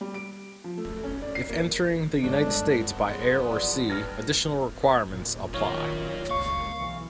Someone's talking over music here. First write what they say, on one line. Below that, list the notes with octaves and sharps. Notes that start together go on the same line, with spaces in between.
If entering the United States by air or sea, additional requirements apply.
G3
D7
F3
A3
C#4
D5
C7
A#3
G1 F#3 G#3 D4
G3 B3 D4
F3 F#3 G#4
D5
G2 B4 F6 A#6
A#2
F#2 D#3 A#3 F4 C#5
C#2 A#3 F5 C#6
B1 E3